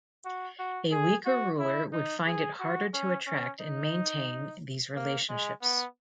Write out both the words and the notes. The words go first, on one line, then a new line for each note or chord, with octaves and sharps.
A weaker ruler would find it harder to attract and maintain these relationships.
F#4
F#4
G#4
F#4
E4
D#4
G#4
F#4
C#4
C#4
D#4
A#3
G#3
B3